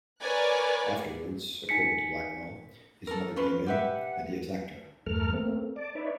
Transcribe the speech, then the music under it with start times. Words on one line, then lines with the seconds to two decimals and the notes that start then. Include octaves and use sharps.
Afterwards, according to Blackwell, his mother came in, and he attacked her.
0.22 A#4 B4 C#5 D5 G#5 F#6
1.69 D#4 G#5 B6 C#7
3.07 A4 A#4
3.36 C#4 F4 B4
3.66 G4 B4 E5 F#5
5.06 E2 G2 A3 A4 A#4 F6
5.33 A3 A#3 C4
5.76 D5 A5 D6
5.95 D#4 B4 C#5 D5 E5